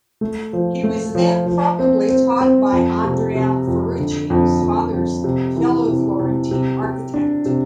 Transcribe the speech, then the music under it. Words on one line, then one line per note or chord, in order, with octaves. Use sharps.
He was then probably taught by Andrea Ferrucci, his father's fellow Florentine architect.
A3
F3
A3
F3
F3
C4
C4
C4
F2
C3
C3
F2
D3
F2
F2
F2
C3
E3
C3
C3
C3
G4
D4
C3